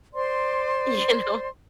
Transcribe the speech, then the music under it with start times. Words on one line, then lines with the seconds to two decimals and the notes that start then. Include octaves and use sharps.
you know.
0.14 C5 D5 C6